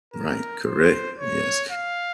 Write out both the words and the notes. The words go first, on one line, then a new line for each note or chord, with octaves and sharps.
Right, correct, yes,
A#4
C5
C#5
F5